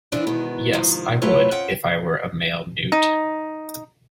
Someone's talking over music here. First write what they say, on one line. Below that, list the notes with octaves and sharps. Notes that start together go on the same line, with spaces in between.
Yes, I would, if I were a male newt.
E3 F3 D4 E4 F4
E2 G#2 B2 D#3 B3
G#2 C3 D#3 F3
F#3 A3 C4 F4 B4 C#5
F2 F3 C#4 F#5 G5
D#4